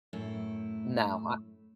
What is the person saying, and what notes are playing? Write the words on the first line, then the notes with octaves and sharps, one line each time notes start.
No, I
F#2 A2 A3 E4